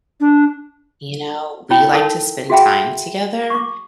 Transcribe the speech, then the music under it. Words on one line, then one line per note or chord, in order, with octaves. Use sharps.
you know, we like to spend time together,
D4
E4 C#5 G5 B5
D#4 A4 A#4 C#5 A5 E6
F#4 G#4 E5 F#5 G5 B5
C#6 D6